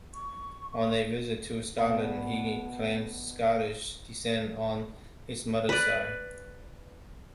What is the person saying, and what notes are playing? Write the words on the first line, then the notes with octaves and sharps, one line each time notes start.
On a visit to Scotland, he claimed Scottish descent on his mother's side.
C#6
B2 B3 D4
B4 D5